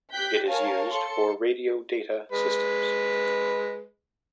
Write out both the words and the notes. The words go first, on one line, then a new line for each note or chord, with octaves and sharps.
It is used for radio data systems.
G4 G5 F#6 G6 B6
A#4 C#5 F5 G#5 A5
A4 C6 C#7
G#3 B4